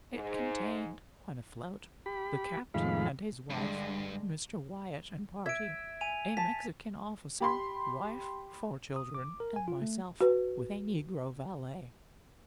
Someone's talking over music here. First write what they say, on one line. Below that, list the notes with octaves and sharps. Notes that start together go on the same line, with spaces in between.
It contained, when afloat, the captain and his wife, Mr. Wyatt and party, a Mexican officer, wife, four children, and myself, with a negro valet.
G#2
G4 B5
F2 A2 D#3 G#3 F5 B5
G2 D3 G#3
E5 G#6 D7
G#5 D#7 F7
A5 B6
G4 B5 C6
D#6
D6
A#4
G#5
F4
A3
F#4 B4